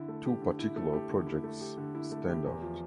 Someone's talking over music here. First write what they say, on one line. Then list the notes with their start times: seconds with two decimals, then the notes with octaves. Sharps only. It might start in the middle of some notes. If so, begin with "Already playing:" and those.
Two particular projects stand out.
Already playing: D3 E4
0.08 A3
0.26 G4
0.42 D3
0.59 E4
0.76 A3
0.93 G4
1.10 D3
1.27 E4
1.44 A3
1.61 G4
1.78 D3
1.95 E4
2.12 A3
2.28 G4
2.45 E2
2.62 F3